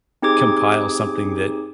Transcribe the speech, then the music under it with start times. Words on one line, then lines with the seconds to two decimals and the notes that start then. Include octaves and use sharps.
compile something that,
0.22 C4 D#4 G4 G#4 D6 G#6